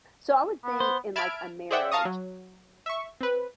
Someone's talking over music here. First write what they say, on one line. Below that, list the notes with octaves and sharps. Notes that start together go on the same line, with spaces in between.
So, I would think in like a marriage
B3
C5
E5 A5 B5 F6 G#6 D7
G#4 C5 D5 E5 F#5 G5
F5 A5 A#5 C#6 D#6
F#3
E5 C#6
C4 B4